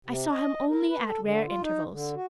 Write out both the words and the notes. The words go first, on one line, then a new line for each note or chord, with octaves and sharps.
I saw him only at rare intervals.
C3
D#5
A#4
B4
A4
D3
F4
D#4
D3
F#4